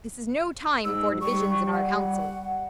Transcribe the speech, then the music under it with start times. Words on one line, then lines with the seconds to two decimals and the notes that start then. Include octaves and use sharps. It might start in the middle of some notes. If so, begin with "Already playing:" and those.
This is no time for divisions in our councils.
0.85 G#2 E6
1.21 G3 C#6
1.73 F#5